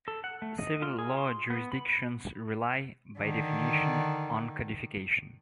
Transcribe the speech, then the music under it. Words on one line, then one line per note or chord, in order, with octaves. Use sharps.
Civil law jurisdictions rely, by definition, on codification.
A4
F#5
A3
D#5
F4
G#4
C6
B3
B5
D3 D#3